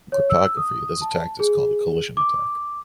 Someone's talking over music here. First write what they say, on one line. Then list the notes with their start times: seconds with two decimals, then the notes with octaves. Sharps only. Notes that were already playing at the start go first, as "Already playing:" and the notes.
In cryptography, this attack is called a collision attack.
0.12 C#5
0.30 E6
0.57 D#6
1.01 A5
1.40 G#4
2.17 D6